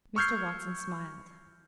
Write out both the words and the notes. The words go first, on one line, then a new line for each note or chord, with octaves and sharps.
Mr. Watson smiled.
C#6 E6 F6 G6 G#6 C7